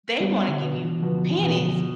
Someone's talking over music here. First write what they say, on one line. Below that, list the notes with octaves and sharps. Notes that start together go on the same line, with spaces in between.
They wanna give you pennies
G3 B3 D4
D3
B2
E3
B2 D3 F3
E3
B2
D3 F3